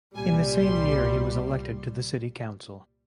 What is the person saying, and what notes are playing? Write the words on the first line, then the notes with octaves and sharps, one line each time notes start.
In the same year he was elected to the city council.
C2 A#2 G3 G#5
C6